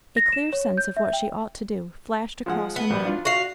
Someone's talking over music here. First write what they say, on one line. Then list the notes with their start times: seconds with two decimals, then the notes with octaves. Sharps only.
A clear sense of what she ought to do flashed across her mind.
0.17 A#6
0.32 E7
0.53 C#5
0.77 G6
0.97 E5
1.13 G5
2.46 F3 G#3 F#5
2.76 B3
2.90 A#1 G3
3.05 D4 F4 D5
3.25 F#4 F5